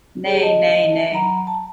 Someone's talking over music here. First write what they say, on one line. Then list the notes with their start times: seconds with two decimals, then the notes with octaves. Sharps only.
Ne, ne, ne.
0.25 G4 G#4 C#5
0.42 D#5 A5
1.12 F#3 F#5 A#5 B5
1.47 A5